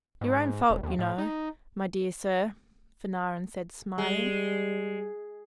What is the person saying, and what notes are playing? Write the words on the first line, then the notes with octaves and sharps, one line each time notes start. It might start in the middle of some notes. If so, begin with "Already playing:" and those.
"Your own fault, you know, my dear sir," Fanarin said, smiling.
G#2
E1
D#2
A2
D#4
G3 G#3